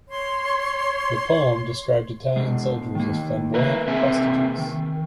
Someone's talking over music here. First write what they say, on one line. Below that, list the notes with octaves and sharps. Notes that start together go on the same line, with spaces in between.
The poem described Italian soldiers as flamboyant prostitutes.
C#5 C6
B2 G#3
D#3 A#3
A#4 B4 E5
C3 A#3 C4 G#4 E5 G#5
D#3